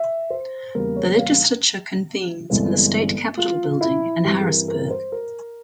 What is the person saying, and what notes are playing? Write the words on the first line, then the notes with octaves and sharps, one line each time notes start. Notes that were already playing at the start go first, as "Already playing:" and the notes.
The legislature convenes in the State Capitol building in Harrisburg.
Already playing: E5
C5
E2 C#3 G3 A#3 A#4
C#5
F5
G1 G2 E3 G#3 C4
F4
E4
G2 E3 G3 C4 G4
G#4
A#4
A#4
C5
A#4